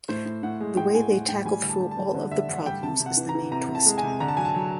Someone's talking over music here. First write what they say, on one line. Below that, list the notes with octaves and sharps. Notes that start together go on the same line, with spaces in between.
The way they tackle through all of the problems is the main twist.
A2 C5
A2
A2 F#5
G#3
A2 G5
A2 G#5
A2 F#5
A2 G5
G3 G#5
D3
A5
G3
A5
G3
D3
D3 E5
D3 F#5
G3 G5
C3 A5
C3
F#5
E3
A#5
E3
C3 A#5
C3
A5
G#3
G#5
C3
D3 A#5
A5
F#3 G#5
A5
F#3